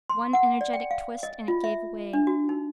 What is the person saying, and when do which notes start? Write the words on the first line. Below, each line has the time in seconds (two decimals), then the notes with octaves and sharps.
One energetic twist and it gave way.
0.09 C6
0.33 F#5
0.61 D5
0.73 G5
0.91 F5
1.23 D#5
1.48 F4
1.64 E5
2.13 D4
2.27 F#4
2.49 D#4